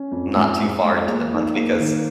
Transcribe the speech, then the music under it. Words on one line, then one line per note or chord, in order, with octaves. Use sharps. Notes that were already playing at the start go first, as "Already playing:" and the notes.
not too far into the month because,
Already playing: C#4
F2
G#2
G#2
G#3
A#3
D#4
A#3
D#3